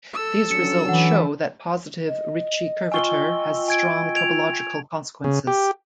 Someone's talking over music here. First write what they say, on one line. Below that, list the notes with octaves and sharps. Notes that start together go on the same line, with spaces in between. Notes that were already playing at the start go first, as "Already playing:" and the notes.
These results show that positive Ricci curvature has strong topological consequences.
A4 E6
F#3 C#4 D4 C#7
E3 F#5
D#5
F4 G5 G#5 C#6 E6 G7
G#5 G#6 D7
G#6 D7 F7
C#3
G4